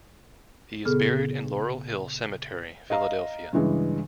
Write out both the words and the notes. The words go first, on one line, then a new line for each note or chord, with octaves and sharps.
He is buried in Laurel Hill Cemetery, Philadelphia.
A#2 C#3 B3 G#4 A4 F6
D#5 F5 A#5
G2 C#3 E3 G#3